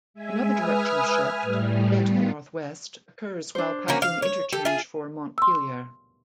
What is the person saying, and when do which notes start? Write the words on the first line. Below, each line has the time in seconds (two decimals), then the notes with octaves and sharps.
Another directional shift, again to the northwest, occurs while passing the interchange for Montpelier.
0.14 G#3 E5 G#5
0.50 B4 E5 G#5 D#6 F6
1.42 A2 G3
2.02 B3 F4
3.55 D4 C5
3.88 A#3 C#4 F#4
4.02 F5
4.22 C#5
4.53 G4 A4
4.65 F4 G#4 E5
5.38 C6 E6